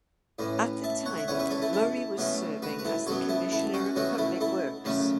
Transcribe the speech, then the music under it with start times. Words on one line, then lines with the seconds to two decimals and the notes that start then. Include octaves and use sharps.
At the time Murray was serving as the Commissioner of Public Works.
0.39 A2 E3 C#4
0.84 E5 A5
1.06 C#5 F#5
1.18 E5
1.28 E2 E3 C#4 C#5 F#5
1.39 B4 E5
1.51 A4 C#5
1.62 E4 A4
1.73 E4 A4
2.17 B2 F#3 A3 C#4
2.62 F#4 B4
2.79 B4
2.85 E4 A4
3.07 F#2 F#3 B3 A4 C#5
3.29 E4 A4
3.51 E4 A4
3.73 C#4 F#4
3.96 B2 F#3 A3 C#4 F#4
4.18 E4 A4
4.41 E4 A4
4.85 F#2 C#3 A3 C#4